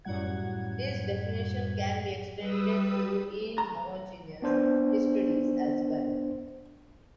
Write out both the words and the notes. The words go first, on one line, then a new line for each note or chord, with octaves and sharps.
This definition can be extended to inhomogeneous histories as well.
F#2 A2 F#3 G3 F#5 G#6
G3 B4 D#6 E6
A#5
B3 D4 C5